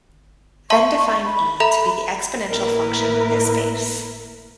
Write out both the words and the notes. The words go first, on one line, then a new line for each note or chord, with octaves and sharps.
Then define "e" to be the exponential function with this base.
E5 A5 C6 C#6
B5
A4 E5 A#5
A2 A#3 E4 A#4 B4